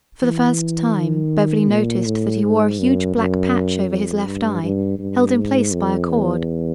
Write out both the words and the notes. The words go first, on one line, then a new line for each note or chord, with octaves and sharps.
For the first time, Beverly noticed that he wore a huge black patch over his left eye, held in place by a cord.
E3
D#3
A#2
A2
G#2
F#2
F#2
F2
G2
G2
G2
G#2
F2
E2